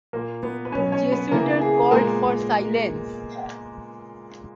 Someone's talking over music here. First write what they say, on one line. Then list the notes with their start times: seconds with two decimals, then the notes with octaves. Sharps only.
Jesuiter called for silence.
0.13 A#2 A#3 A#4
0.43 B3 B4
0.65 B4
0.72 B2 F#3 B3 C#4 C#5
0.92 C#4 C#5
1.12 B3 B4
1.31 C#3 E3 A#3 B3 A#4
1.61 G#4
1.91 A#2 G#3 A#3 B3 A#4